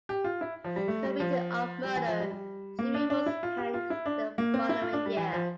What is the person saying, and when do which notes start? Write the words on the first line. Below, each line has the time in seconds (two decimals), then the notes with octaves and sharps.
Convicted of murder, Jimmy was hanged the following year.
0.09 G4
0.24 F4
0.41 E4
0.64 F3
0.76 G3
0.88 A3
1.04 G3
1.20 F3
1.83 G3
1.96 E3
2.07 F3
2.20 G3
2.31 G3
2.79 A#3
2.94 D4
3.10 D4
3.26 E4
3.43 F4
3.58 G4
3.74 F4
3.90 E4
4.06 D4
4.38 A#3
4.54 C4
4.69 E4
4.82 F4
4.93 D4
5.06 G3
5.17 E3
5.33 F3